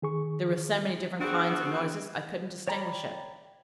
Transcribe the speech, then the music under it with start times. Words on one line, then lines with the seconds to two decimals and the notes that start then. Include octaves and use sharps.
"There were so many different kinds of noises I couldn't distinguish it."
0.02 D#3 G#4 C#6
1.20 B3 C4 D4 F#4 G#4
2.68 C#5 D5 G5 A#5 B5